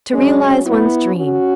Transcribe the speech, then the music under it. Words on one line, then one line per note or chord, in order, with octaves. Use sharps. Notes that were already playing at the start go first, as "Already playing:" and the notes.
To realize one's dream.
F#2 F#3 G#3 C#4
B3 E4
C#4 F#4